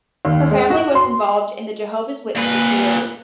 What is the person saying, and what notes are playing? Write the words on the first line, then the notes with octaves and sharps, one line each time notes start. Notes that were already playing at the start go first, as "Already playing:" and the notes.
Her family was involved in the Jehovah's Witnesses religion.
D#2
G#3
F#4
C6
A#2 B4